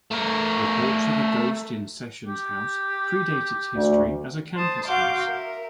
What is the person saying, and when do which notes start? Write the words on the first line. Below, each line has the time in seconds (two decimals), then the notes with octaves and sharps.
Reports of a ghost in Sessions House predate its history as a campus house.
0.12 A3 A#4
2.27 G4
3.75 D2
4.55 C5 A5 D#6
4.86 F#4 F5 F#5 C6 D6 G6
5.25 A#4 E5